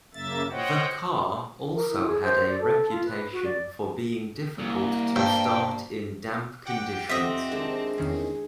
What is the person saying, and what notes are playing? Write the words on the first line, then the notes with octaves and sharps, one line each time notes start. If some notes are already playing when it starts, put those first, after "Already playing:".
The car also had a reputation for being difficult to start in damp conditions.
F#2 C#3 A#3 E5 A6
C5 C#5 D#5 F#5 G5
A#4
E4
G#4
C5
D5
A4
F4
B4
F#4
D5
C2 A#3
G2 C5 D5 G5 A5
F#5 G5 D6
F2 C3 C4 D#5 E5 G5
D#3 G#3 D4
E2 D#3 C#4 G#4